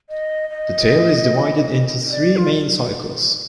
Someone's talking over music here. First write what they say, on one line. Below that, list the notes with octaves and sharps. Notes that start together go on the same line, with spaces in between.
The tale is divided into three main cycles.
D#5
D#5
D5
F4